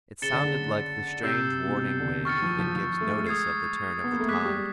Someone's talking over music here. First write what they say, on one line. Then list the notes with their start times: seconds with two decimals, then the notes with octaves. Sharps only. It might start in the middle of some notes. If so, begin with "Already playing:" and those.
It sounded like the strange warning wave that gives notice of the turn of the tide.
0.22 C#3 A6 C#7 E7 G7
0.33 D3
0.44 C#3
1.23 C3 E6 G6 C7 E7
1.68 B2
1.74 C3
2.00 D3
2.25 D#3 C#6 F6 A6 C#7
2.42 F3
2.59 F3
2.76 F3
3.01 A3
3.10 G#3
3.27 D#6 G#6 C7
4.04 B3
4.12 A#3
4.20 A3
4.28 G#3 D6 F#6 B6
4.45 G3